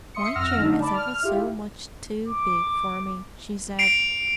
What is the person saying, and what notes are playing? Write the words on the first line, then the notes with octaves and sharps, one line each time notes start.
"My chair is ever so much too big for me," she said.
E5 C6 D#6 C#7
F2 F#5 E6 F6 A#6
D3 A3 D#4
D5 A5 B5 D6
F6
E4 F4 G4
D6
C7 D7 F7